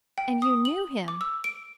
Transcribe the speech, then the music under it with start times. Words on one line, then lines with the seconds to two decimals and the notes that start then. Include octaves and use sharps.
And YOU KNEW HIM.
0.18 G5
0.42 D#6
0.65 F#7
1.08 D6
1.21 E6
1.44 D7